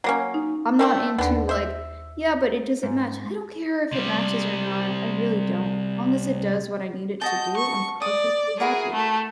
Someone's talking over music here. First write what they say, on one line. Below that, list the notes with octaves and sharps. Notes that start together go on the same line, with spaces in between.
I'm not into, like, "Yeah, but it doesn't match." I don't care if it matches or not, I really don't. As long as it does what I need it to do, I'm perfectly happy.
F#3 A#3 C#4
D#4
A3 C4 D4 A#4
D#2 D3 B3
C5 E5
G#2
C3 G3
F#4 D#5 A5 G6
C#6
D5 D#6
E4 F#4 G#4 A#4
A3